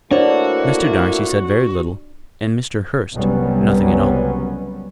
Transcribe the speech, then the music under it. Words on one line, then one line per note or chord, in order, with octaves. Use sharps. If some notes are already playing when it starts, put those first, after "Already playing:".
Mr. Darcy said very little, and Mr. Hurst nothing at all.
A3 A#3 D4 E4 F#4 C5 C#5
F#1 C2 F#3 G3 B3 C#4